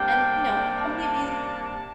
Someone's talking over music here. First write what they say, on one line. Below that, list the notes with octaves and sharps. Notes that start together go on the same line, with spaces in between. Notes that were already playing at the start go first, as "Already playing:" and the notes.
and, you know, how many of these
Already playing: C3 G3 A#3 D4 G5
A5